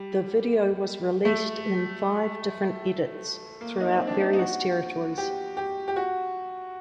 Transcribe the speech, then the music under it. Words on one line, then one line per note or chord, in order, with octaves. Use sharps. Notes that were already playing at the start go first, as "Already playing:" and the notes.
The video was released in five different edits throughout various territories.
Already playing: G3
A3
A#3
D#4
C4
D4
D#4
D#4
F#4
G4
G4
G4
F#4